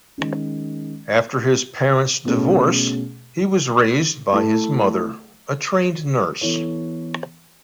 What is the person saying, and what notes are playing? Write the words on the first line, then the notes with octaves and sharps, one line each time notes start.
After his parents' divorce, he was raised by his mother, a trained nurse.
D#3 G#3 C#4
B2 A3 C#4 G#4
A3 E4 A4
E3 B3 E4 A4 C#5